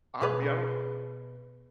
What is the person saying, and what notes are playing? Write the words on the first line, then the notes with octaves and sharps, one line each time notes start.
RnB, I don't
B2 G#4 B4